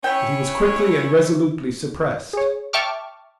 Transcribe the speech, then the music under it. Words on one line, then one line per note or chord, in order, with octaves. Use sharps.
But he was quickly and resolutely suppressed.
C#4 E4 C#5 G5
G#4 C#5
E5 G5 A5 C#6 D6 F6